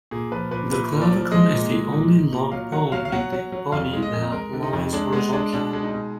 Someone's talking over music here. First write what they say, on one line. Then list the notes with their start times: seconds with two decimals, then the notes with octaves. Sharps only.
The clavicle is the only long bone in the body that lies horizontally.
0.11 A#2 G#4
0.32 F3 B4
0.51 A#2 B4
0.71 A#2 B4
0.92 A#2
1.01 D5
1.11 F3
1.32 G#3 D#5
1.52 A#2
1.72 G#3
1.92 A#2
2.12 A#2
2.32 A#2
2.52 F#3 F5
2.72 F#3 F#5
2.92 F#3 F5
3.05 F5
3.12 F#3 F#5
3.32 F#3
3.52 F#3
3.72 F2 F5
3.93 G#3
4.02 D#5
4.13 F2
4.32 G#3 A#4
4.53 D3
4.63 D#4
4.73 F2
4.93 G#3 D4
5.13 G#3 B3
5.33 G#3 D4
5.53 B2 D4
5.73 G#3
5.84 D#4
5.94 B2